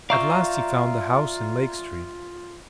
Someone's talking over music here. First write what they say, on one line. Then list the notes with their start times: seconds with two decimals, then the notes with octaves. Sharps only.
At last he found the house in Lake Street.
0.10 F4 D5 E5 F5 A#5 C#6 G6